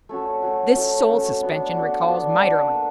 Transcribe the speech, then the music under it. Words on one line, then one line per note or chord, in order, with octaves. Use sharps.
This soul-suspension recalls Maeterlinck.
A3 C#4 F#4
A3 C#4 F#4
A3 C#4 F#4
A3 C#4 F#4
B3 D4 F#4
B3 D4 F#4
B3 D4 F#4
B3 D4 F#4
A#3